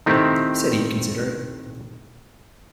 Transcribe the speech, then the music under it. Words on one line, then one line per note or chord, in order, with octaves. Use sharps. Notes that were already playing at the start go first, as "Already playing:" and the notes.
Said he'd consider it.
D#3 A3 C4 D#4 E4 G4